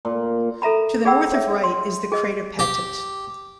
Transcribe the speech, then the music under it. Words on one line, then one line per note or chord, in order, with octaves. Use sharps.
To the north of Wright is the crater Pettit.
A#2
A4 E5 A#5 B5
G#4 D5 F#5 G5 B5 E6
C#5 E5
C6
G#4 D#5
G4